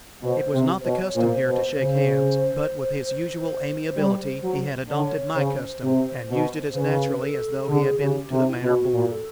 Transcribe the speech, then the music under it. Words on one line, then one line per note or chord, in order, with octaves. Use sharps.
It was not the custom here to shake hands, but with his usual amiability he had adopted my custom, and used it as naturally as though he had been to the manner born.
B2 C5
C3
C5
B2 C#5
A#2 C5
B2
C#3
G3
F#3
D3 C#5
C#3 C5
C3
B2
C#3 B4
A4
D3 G#4
C#3 G4
C3
D#4
E4
F4
B2 F#4
A#2
A4